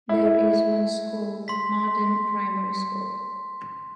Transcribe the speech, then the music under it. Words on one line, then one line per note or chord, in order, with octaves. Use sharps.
There is one school: Marden Primary School.
E4
C6 B6